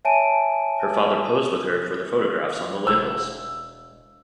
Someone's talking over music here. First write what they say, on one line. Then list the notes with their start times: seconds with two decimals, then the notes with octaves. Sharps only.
Her father posed with her for the photographs on the labels.
0.05 C#5 E5 G#5 A5 D7 D#7
2.87 E1 E6